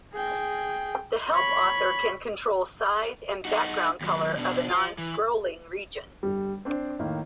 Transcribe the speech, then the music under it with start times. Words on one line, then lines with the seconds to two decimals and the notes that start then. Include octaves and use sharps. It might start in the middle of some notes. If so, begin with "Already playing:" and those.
The Help author can control size and background color of a non-scrolling region.
0.13 G#4 G5
1.32 C#5 B5
3.45 D#4 F#4
4.01 D#2 F#3
4.37 B2 D4
4.69 F4 C5
4.98 E3
6.23 G1 G3
6.65 C4 D4 C5
6.99 A2 D#3 A#3